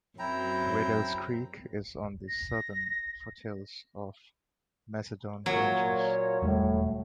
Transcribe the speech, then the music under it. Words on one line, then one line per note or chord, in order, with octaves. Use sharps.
Riddells Creek is on the southern foothills of the Macedon Ranges.
F#2 F#3 C4 E4 G5 A#5
A#6
A#2 F#3 A#3 C#5
E1 A2 G3 A3